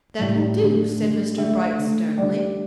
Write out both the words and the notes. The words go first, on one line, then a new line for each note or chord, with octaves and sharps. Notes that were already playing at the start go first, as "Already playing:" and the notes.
"That will do," said Mr. Bright sternly.
A2 G3
D3 A3
D3 A3
D3 A3 E5
D3 A3
D3 G3 D5